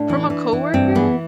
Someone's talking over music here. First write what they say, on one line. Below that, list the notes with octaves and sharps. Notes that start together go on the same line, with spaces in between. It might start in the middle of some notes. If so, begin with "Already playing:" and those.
From a coworker?
Already playing: A2 D4
E3
E3
E3
G2 C4
E3 B3